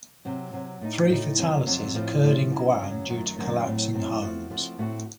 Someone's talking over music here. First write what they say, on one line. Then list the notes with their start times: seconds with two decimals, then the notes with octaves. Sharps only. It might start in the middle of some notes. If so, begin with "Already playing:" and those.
Three fatalities occurred in Guane due to collapsing homes.
0.25 C3 F#3 C4
0.53 C3 F#3 C4
0.81 A2 A3 D#4
1.10 A2 A3 D#4
1.38 F2 C3 F#3 C4
1.66 F2 C3 F#3 C4
1.95 A2 F3 A3 C4
2.23 A2 F3 A3 C4
2.51 F#2 C#3 F#3
2.79 F#2 C#3 F#3
3.09 F#2 D#3 F#3 A3
3.36 F#2 D#3 F#3 A3
3.65 A2 F#3 C4
3.93 A2 F#3 C4
4.22 F3 A3 C4 F#4
4.50 F3 A3 C4 F#4
4.78 A2 A3 C4 F#4